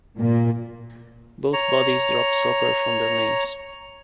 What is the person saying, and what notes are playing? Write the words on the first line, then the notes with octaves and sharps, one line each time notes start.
Both bodies dropped "soccer" from their names.
A#2
C#5 A#5